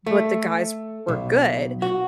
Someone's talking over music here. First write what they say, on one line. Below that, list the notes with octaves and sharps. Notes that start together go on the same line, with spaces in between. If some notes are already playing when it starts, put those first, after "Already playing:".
but the guys were good,
A3
B1
F#4